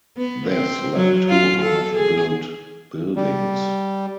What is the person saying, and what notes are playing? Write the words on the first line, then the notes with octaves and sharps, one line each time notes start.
This left two half built buildings.
B3
C4
F#3
F4
A4
G#4
G3